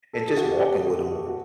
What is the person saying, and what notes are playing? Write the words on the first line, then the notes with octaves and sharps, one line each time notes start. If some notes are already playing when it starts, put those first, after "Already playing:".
and just walking with 'em, or
A4
G#4
F#4
G4
G4
F#4
G4
F#4
F#4